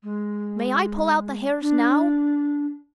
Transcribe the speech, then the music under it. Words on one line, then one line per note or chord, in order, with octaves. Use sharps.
"May I pull out the hairs now?"
G#3
D4